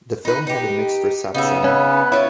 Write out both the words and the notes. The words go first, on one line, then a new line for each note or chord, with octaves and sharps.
The film had a mixed reception.
D#4 B4
D#4 G4
C#3 B3 D#4 E5
C#4 B4
E4 F4 C#5